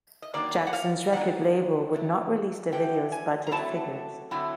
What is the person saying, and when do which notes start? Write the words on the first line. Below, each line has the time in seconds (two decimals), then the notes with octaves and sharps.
Jackson's record label would not release the video's budget figures.
0.22 D#5
0.33 D#3 F#3 A#3 D4 D5
0.67 F#5
0.73 F5
1.13 D#3 F#3 A#3 D4 F#5
1.93 D3 F#3 A3
2.72 D3 F#3 A3 G5
3.12 G#5
3.47 A#5
3.51 D3 F#3 A3 C4 E4 A5
4.31 D3 F#3 A3 C4 E4